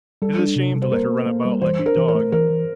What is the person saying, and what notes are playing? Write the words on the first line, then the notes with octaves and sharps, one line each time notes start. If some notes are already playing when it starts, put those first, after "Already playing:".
It is a shame to let her run about like a dog.
G3 A4
D4
C3
G3
C5
A#3 A#4
A#3
A#3
G3
E3 C5
D4
A#4
E3
A#4
A3
E3 A#4
E3